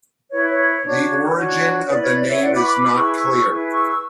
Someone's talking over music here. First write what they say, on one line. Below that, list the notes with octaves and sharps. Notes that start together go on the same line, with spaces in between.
The origin of the name is not clear.
E4 B4 C#5
C#5
D4 F#4 C#5
D4 F#4 C#5
E4 B4 D5
C#5
D5
C#5 E5
E4 B4 D5 F#5
B5 D6
C#6
B5 D6
B5 D6
E4 G#4 B4 C#6 E6
C#6 E6
E4 G#4 B4
C#6 E6
E6